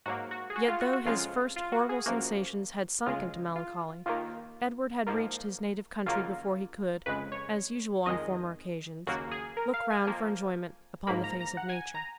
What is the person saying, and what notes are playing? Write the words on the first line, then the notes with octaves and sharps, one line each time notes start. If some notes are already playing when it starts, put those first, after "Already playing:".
Yet, though his first horrible sensations had sunk into melancholy, Edward had reached his native country before he could, as usual on former occasions, look round for enjoyment upon the face of nature.
G#2 F#3 A#3 F#4
F#4
G#4
F#4
F4
F#4
F#4
F2 C#3 F3 G#3 F4
F4
F#4
G#4
F#2 F3 A#3 F#4
C#2 C#3 G#3 F4
F4
D#2 D#3 A#3 F4
G#2 F3 A#3
D#2 C#3 F#3 A#3 F4
F2 C#3 G#3 B4
C#5
F2 D#3 G#3 D#5
D#2 C#3 F#3 A#3 F#4
G#4
A#4
F5
G#5
F2 F3 A#3
G#2 F3 A#3 B5
A#5
A#5
F#5
G#5
A#5